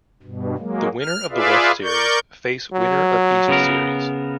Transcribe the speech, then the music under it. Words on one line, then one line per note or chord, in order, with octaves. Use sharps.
The winner of West series face winner of East series.
G2 B2
F#3 G#3 A#3
F6
F4 G#4 B4 D5 E5 F5
A#4 D5 C#6 G6
F#3
C#3 B3 A#4